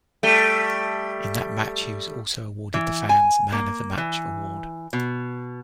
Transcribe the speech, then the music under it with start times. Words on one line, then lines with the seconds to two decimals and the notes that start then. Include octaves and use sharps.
In that match, he was also awarded the fans' Man of the Match award.
0.23 G3 A3
2.74 E3
3.09 G#5
3.52 A#3
3.98 E3
4.93 B2